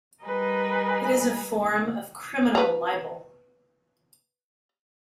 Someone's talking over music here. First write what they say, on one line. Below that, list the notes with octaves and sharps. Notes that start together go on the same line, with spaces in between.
It is a form of criminal libel.
G3 A#4 B4 D#5 G#5
B4 A#5